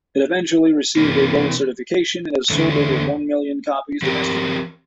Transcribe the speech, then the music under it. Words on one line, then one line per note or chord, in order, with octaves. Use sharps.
It eventually received a gold certification, and has sold over one million copies domestically.
C3 E3 A#3
E2 D3 A3
F3 C4 G4 A#4